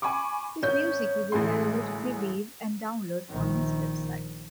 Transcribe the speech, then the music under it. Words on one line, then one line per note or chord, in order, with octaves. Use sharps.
His music is available to preview and download on his website.
G#5 B5 C#6 D6
G#1 C#4 G6
A1 D2 G#2 G#4 C6
A#1 D#3